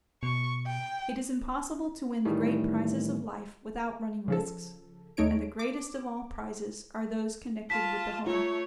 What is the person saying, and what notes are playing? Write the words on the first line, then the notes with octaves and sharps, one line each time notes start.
It is impossible to win the great prizes of life without running risks, and the greatest of all prizes are those connected with the home.
B2 C#6
G5
A2 D#3 E3 G3 A3
C#3 F3 A4
D#2 A3 D#4 C#5 D7
D6
F4 A5 B6
A3 F4 C#5